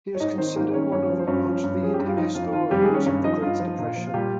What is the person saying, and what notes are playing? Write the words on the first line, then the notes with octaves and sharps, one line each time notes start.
He is considered one of the world's leading historians of the Great Depression.
C#5
G#2 D#4 D#5
D#3 C4 C5
G#2 A#3 A#4
D#3 C#4 C#5
G2 C#4 C#5
F3
C5
G2 C#4 C#5
F3
G2
F3 G#4
G4
G2
F4
F3 D#4
F2 F4
D#3 F4
F2 G3 G4
G#3 G#4
D#3
C#4 C#5
G2 C#4 C#5
F3 D#4 D#5
G2 F4
F3
A#2
F3
F4
A#2 G3 G4